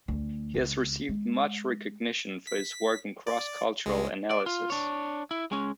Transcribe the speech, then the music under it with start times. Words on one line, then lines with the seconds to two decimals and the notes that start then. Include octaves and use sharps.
He has received much recognition for his work in cross-cultural analysis.
0.08 D2
0.54 C#2
1.09 G#3
2.47 B6
3.27 D5
3.86 C#2 G#3
4.31 D5
4.46 F4
4.70 D4 C#5
5.31 E4
5.52 G#3 C#4